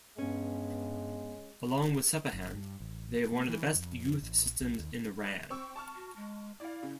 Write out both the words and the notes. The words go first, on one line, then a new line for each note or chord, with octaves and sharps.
Along with Sepahan, they have one of the best youth systems in Iran.
G2 G#3 B3 C#4
G1
G2
A1
A#3
E3
F2
A1
A#1
B1
D#2
C4 C#6 E6
A5 C#6 F6
F#4
G#3
E4 D5 F5
C#3